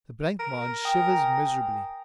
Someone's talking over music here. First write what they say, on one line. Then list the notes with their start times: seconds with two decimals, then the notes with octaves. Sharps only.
The blancmange shivers miserably.
0.40 A#4
0.85 G5 G#5 D#6